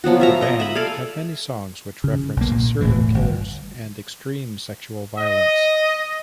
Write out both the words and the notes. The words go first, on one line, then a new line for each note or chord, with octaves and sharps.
The band have many songs which reference serial killers and extreme sexual violence.
F3 F#3 B3 F#4
F4 E5 A#5
D#5 A#5
E5 B5
A4 D5 F5 G#5
C#3
B1 A#3
A#2
E1 D2 A2 E3
G1
D#5